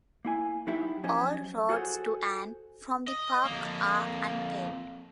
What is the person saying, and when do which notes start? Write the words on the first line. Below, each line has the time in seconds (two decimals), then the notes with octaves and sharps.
All roads to and from the park are unpaved.
0.25 A#3 E4 G#5
0.67 F#3 D#4 E4 G4 E5
1.03 F3 F#3 C#4 G4 C5 D#5
1.69 F4 F#4 G#4 A4 C5 C#5
3.08 D#5
3.46 F2 A#3